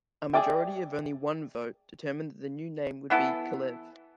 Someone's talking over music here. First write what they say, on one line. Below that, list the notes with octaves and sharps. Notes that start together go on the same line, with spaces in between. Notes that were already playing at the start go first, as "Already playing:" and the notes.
A majority of only one vote determined that the new name would be "Kalev".
G#4 A#4 D5 E5 G5
E3 B3 E4 A4